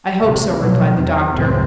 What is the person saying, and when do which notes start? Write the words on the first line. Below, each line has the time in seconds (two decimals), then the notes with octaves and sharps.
"I hope so," replied the doctor.
0.20 D2 A2 C3
0.61 B2 F3 F#3 B3
0.92 E2 C3
1.32 C#2 F#2 A2 C#3 E3 C4